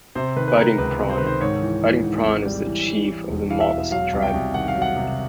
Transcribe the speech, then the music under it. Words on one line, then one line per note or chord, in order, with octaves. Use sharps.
Fighting Prawn - Fighting Prawn is the chief of the Mollusk Tribe.
C3 C5
D#3 B4
B4
D#3 A#4
A#4
C#2 B4
C3
C5
D#3 B4
C5
G#2 C#5
E3
E3
G#2
G#1
G3
E3
E3
E3
E1
E3 F5
E5
E1
F#3 F5
C2
G5
C2
D#3 F#5
F5
F#3
F#5
C3